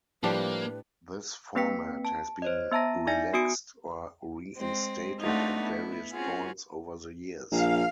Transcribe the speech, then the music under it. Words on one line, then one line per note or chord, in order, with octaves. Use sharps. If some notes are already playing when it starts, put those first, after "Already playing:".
This format has been relaxed or reinstated at various points over the years.
A2 F3 G3 A#3 D4 G4 B4
A#3 C4 B4 G5 B6 C#7
A5
C5 C#5 D#5
B3 E5 A5 A#5 A#6
D#4 D5 E5 G#5 A#6
B3 F#4 G#5 D#6 C#7 D7
G#3 C4
A3 C4 D4 D#4 F4 F#4
B3 E4
C4 C#4 F4 F#4 G#4
A#1 F5